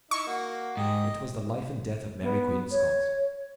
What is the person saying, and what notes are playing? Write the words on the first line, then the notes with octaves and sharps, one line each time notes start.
It was the life and death of Mary Queen of Scots.
D#4 E4 E5 C#6
A#3 F#4
G#2 G4 D#5
B3
C#5